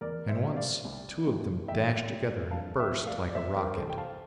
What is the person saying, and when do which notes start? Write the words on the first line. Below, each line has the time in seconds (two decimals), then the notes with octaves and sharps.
And once two of them dashed together and burst like a rocket.
0.01 E2 A#4 D5
0.28 C5 E5
0.43 D3 G3
0.56 D5 F5
0.85 C2
1.27 C3 F3
1.68 E2 E5 G5
2.09 C3 G3
2.51 G2 F5 A5
2.80 E5 G5
2.93 F3 A3
3.07 D5 F5
3.29 D5
3.35 C2 C5 E5
3.56 G4 A#4
3.77 C3 E3 A4 C5
3.90 G5
3.98 F5 A5